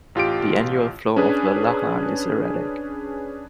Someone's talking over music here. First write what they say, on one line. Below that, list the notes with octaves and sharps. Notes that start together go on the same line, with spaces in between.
The annual flow of the Lachlan is erratic.
A1 F4 G4 D7
C#4 D4 G#4 B4